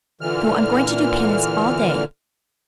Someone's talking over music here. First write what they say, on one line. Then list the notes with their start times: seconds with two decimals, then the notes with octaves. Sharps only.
So I'm going to do penance all day.
0.21 A#2 D3 E3 F6